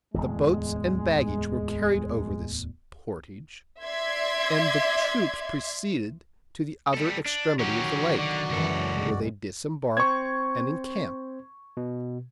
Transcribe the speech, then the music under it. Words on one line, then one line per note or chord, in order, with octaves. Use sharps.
The boats and baggage were carried over this "portage," and the troops proceeded to the other extremity of the lake, where they disembarked and encamped.
D1 G#1 E2 G#3
D5 E5 C6 G#6
G3 A4
D4
D#3 F#3 C#4 F#4 G4
D3 F#4 D5
C#2 F#2 E3 A4
C2 G2 G#3
C4 C5 C#6 G#6
B2